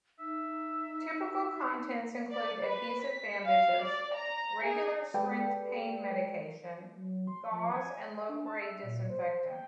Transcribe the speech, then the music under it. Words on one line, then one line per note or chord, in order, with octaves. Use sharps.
Typical contents include adhesive bandages, regular strength pain medication, gauze and low grade disinfectant.
D#4 E5
D5
B4
B6
F5
D5
A#5
G#4
G#3 G4 A4 B4 D5 G5
F#3
C6
F3
G#5
G#5
D4
A5
E5
A#2
C5
G5